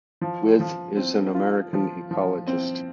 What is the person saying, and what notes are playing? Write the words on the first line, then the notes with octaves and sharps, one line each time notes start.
With is an American ecologist.
F3
F3
C4
F4
F3
F3
C4